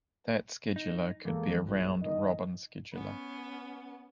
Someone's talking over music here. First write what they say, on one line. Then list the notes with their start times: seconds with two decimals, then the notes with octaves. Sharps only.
That scheduler could be a Round-robin scheduler.
0.76 D#4
1.25 E2 G#3 A#3 A4
1.67 A#1 G2
2.02 D#3 D#5
2.94 B3 C#4